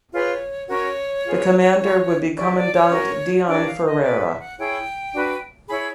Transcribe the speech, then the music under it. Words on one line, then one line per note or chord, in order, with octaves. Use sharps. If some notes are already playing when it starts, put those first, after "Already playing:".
The commander would be Commandant Deon Ferreira.
F4 G#4 B4 C#5
C#4 F#4 A#4 C#5
F4 G#4 B4
C#4 F4 A4
C#4 E4 G4 D5
D5
C#5
C#4 F#4 A#4
D4 G4 A#4 C#5 D5
F5
D#5
F#4 B4 D5
E5
F#5
E4 G#4 C#5 G5
D4 F#4 B4
E4 G#4 C#5 B5